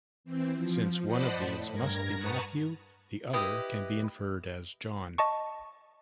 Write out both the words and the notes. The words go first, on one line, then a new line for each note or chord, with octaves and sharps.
Since one of these must be Matthew, the other can be inferred as John.
E3 C4
F3
C5 D5 D#5 F#5 A5 B5
A2
G2 A#4 G#6 A#6
B4 F#5 A5 A#5 C#6 D#6
E4 G4 B4 D#5
D#5 A5 C#6